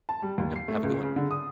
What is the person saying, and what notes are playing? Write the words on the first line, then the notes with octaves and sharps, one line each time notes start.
Yep, have a good one.
A5
G3
D#2
C7
A3
C#2
C#3
D3
D#6